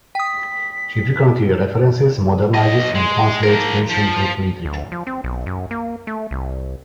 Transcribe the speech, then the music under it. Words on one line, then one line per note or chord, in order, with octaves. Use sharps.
She frequently references, modernizes, and translates Ancient Greek literature.
G5 D#6 B6
B1 D#5
G#3
F3 A#4
F3
D2
F3
C4
B1
F#2
A#3
A3
C2